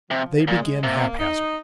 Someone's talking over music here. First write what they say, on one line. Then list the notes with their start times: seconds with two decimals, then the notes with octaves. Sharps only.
They begin haphazard.
0.10 C3 F3
0.47 A#2 G#3
0.83 C3 A#3
1.19 D#4